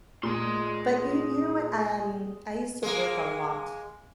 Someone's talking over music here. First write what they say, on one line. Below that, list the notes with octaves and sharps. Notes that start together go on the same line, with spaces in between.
but you you know what, um, I used to work a lot.
A#2 G#4 C6
G#3 A#3